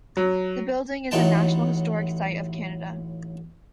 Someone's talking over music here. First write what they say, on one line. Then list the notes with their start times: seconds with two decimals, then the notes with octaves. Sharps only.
The building is a National Historic Site of Canada.
0.17 F#3
1.11 A1 A2 F#3 D#4 G5 A5